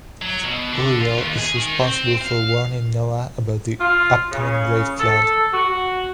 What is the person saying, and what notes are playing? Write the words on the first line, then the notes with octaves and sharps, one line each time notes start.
Uriel is responsible for warning Noah about the upcoming Great Flood.
F#3
B2
D3
F4
D#2
G#4
D#3
C4
F5
F4
C#3
A4
F#4